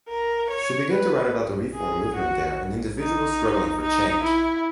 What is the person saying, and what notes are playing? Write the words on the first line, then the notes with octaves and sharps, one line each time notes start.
She began to write about the reform movement there and individuals struggling for change.
A#4
C#5
B4
G#4
F#4
D#4
D#4
E4